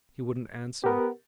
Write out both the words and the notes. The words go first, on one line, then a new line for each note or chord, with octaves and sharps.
He wouldn't answer.
B3 G4 A#4